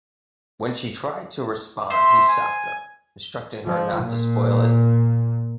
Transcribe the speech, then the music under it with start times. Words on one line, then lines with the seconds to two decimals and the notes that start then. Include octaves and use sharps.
When she tried to respond he stopped her, instructing her not to spoil it.
1.90 C5 E5
2.29 G#5
3.65 F3
4.01 A#2